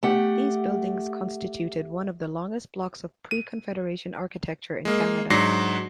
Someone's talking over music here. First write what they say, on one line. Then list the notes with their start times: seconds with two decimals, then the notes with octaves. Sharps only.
These buildings constituted one of the longest blocks of pre-Confederation architecture in Canada.
0.03 A3 G4 F#5
3.31 D#7
4.85 G#3 A#3
5.30 G#2 F#3 D4 A#6 C7